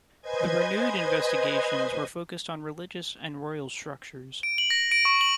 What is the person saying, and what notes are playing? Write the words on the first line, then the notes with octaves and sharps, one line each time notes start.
The renewed investigations were focused on religious and royal structures.
B4 C5 D#5 G#5 G#6
D7
F#7
A#6
D7
C#6
F#7